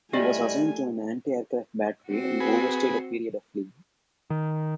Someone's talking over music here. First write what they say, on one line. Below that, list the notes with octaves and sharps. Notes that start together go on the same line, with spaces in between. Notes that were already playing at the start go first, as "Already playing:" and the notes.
He was assigned to an anti-aircraft battery and overstayed a period of leave.
A#2 G3 A3 E4 G4 D5 D#5 G#5
C4 F#4
G#4 B4
D#3